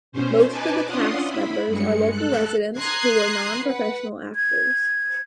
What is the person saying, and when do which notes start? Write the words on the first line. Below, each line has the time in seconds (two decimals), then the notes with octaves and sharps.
Most of the cast members are local residents who were nonprofessional actors.
0.12 B2 C#4 C5
0.49 D#4 B4 G#5 A5 D6
0.86 C#4 D4 F4 F#5 C6 D#6
1.24 E4 B5
1.66 G2 G#3 C#7
2.10 A4 F#6
2.79 A#5 C6 D#6 F#6 G#6 C7
3.62 B4 F#5
4.36 G#6